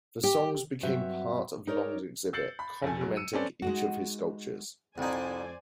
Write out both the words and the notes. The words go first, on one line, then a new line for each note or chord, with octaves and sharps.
The songs became part of Long's exhibit, complementing each of his sculptures.
G4
G2 F#3 C4 F#4 G4 E5
D#4 A#4 C#5 D5
E6 G6 A6 C7 C#7 F#7
B5
A#1 F2 A4 G#5
F#3 G#3
E6 C#7 D#7
C4 C#4 A4 B4 D5
G#3 D#4 F#4
C2 F2 D#4 C5 D5 G#5